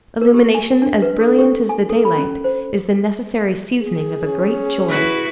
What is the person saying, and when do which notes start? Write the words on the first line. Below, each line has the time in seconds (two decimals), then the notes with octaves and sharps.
Illumination as brilliant as the daylight is the necessary seasoning of a great joy.
0.21 A#4
0.34 G4
0.55 G#5
0.82 D4
1.02 B4
1.21 A4
1.39 G4
1.69 G#5
1.90 A4
2.05 B5
2.18 C#4
2.44 C5
3.80 G#4
4.22 C#4
4.89 E4 F#4 B4